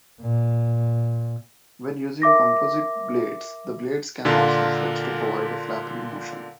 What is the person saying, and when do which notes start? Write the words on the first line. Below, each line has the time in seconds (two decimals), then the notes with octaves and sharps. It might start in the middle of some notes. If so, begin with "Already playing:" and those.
When using composite blades, the blades can also flex to provide a flapping motion.
0.22 A#2
2.22 A#4 E5 D6 A#6
4.25 A#2 D3 D4 F4 A#4